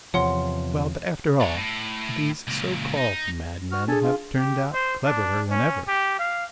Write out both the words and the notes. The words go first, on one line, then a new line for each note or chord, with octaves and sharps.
Well, but after all, these so-called madmen have turned out cleverer than ever.
E2 C3 F3 C#5 F#5 C6
D4 C#5
A2
C#2 A#2
D#4
F#4 F6
D4 G#4 A4 G#5 A5
F4
G4
C5
D4
C#4
G4
F5